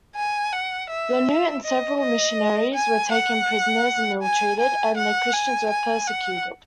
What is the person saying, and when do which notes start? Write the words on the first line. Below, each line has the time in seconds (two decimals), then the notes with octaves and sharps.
Laneau and several missionaries were taken prisoners and ill-treated, and the Christians were persecuted.
0.16 G#5
0.53 F#5
0.90 E5
1.64 D#5
2.00 D#5
2.74 G#5
3.11 F#5
4.23 G#5
4.60 G#5
4.97 F#5
5.33 G#5
5.71 G#5
6.07 F#5